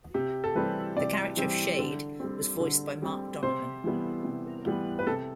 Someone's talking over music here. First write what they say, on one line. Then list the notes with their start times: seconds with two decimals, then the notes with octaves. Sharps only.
The character of Shayde was voiced by Mark Donovan.
0.14 C3 G4
0.44 A4
0.55 E3 G3 C4 B4
0.97 C3 D5
1.37 E3 G3 C4
1.79 D3
2.20 G3 C4
2.60 D3
3.02 G3 C4
3.43 C3 C5
3.84 E3 G3 B3
4.24 C3
4.66 E3 G3 B3
4.99 B4
5.07 C3 A4